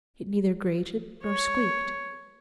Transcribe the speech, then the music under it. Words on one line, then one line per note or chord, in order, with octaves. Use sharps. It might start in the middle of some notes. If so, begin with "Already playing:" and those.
It neither grated nor squeaked.
C#5